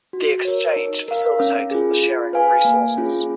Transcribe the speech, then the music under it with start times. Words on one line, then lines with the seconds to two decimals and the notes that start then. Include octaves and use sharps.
The Exchange facilitates the sharing of resources.
0.13 F#4
0.45 A#4 C#5
0.76 D#4
1.08 A#4 F5
1.40 C#4
1.71 F4 G#4
2.02 F4
2.33 B4 F5 G#5
2.65 A#3
2.97 C#4 F4 G#4